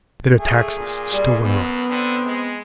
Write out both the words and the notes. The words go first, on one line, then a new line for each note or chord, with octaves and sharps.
The bitter taxes still went on.
A3 G#4
A#2
G3
F#2 B3
D3 C4
G#3